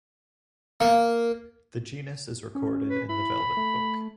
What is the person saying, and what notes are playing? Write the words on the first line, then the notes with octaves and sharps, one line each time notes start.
The genus is recorded in the Velvet Book.
A#3 F5
C#4
B4
E4 B5
A3